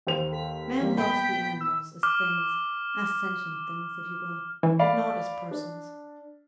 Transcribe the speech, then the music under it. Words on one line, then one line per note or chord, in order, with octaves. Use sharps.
Man loves the animals as THINGS,--as SENTIENT THINGS, if you will,--but not as PERSONS.
D#2 C5 F7
A4 B6
E3 G3 A#3
A#2 B3 G5 B5
E6
D6 F6
E3
D5 F5 B5
D4